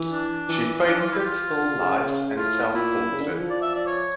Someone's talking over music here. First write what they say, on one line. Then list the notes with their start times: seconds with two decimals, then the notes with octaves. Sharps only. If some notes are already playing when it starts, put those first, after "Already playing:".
She painted still lifes and self portraits.
Already playing: E3
0.12 D4
0.49 E3
0.87 D4
1.00 F4
1.12 E4
1.18 G4
1.25 F4
1.61 D3
1.81 C#3
2.00 C#3
2.37 A2 F4
2.74 A#2 E4
3.12 C#3
3.21 D3
3.30 E3
3.40 F3
3.50 D5
3.62 E5
3.75 D5
3.87 C#5